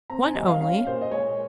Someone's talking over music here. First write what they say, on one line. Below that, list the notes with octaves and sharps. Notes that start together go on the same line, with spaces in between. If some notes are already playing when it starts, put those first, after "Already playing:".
"One only?"
C4 A#5
G#5
G3 D#5
F5
C#4 F5
A#2 C5
D#5
G#3 C#5